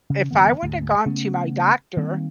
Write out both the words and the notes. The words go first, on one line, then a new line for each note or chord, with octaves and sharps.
if I wouldn't have gone to my doctor,
C#3
F#1 D#3 B3
D2 G#2
C#3 A3 B3 C#4
D#3 G3 A#3 C4